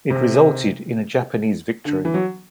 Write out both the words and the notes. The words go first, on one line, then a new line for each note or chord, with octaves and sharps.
It resulted in a Japanese victory.
C3
D3
E3
F#3